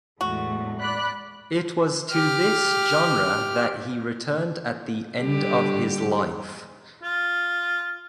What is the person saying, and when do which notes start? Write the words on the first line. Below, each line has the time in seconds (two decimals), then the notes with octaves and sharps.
It was to this genre that he returned at the end of his life.
0.21 E2 A2 G#3 A3 F#4
0.80 D5 B5 F#6
2.10 G4 F6
5.20 D3 G3 G4
7.03 F4